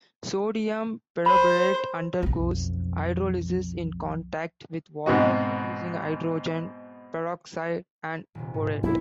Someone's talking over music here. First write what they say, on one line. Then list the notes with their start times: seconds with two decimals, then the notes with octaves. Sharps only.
Sodium perborate undergoes hydrolysis in contact with water, producing hydrogen peroxide and borate.
1.26 C5 B5
2.23 B1 F2
5.06 G#2 B2 C4 F#4 D#5
8.35 D#1 C3
8.54 G#2
8.83 B1 F#2 B2 E4